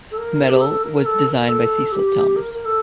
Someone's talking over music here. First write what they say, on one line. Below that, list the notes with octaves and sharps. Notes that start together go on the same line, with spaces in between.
The medal was designed by Cecil Thomas.
A4
A#4
G4
A4
A#4
A4
A#4
A#4
A4
G4
A#4
A#4
A4